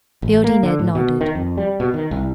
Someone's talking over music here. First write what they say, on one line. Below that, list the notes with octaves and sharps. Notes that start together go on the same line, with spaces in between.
Beardy Ned nodded.
A1
A#3
D3
A2
B2
D#3
F2
G3
B2
D#3
C2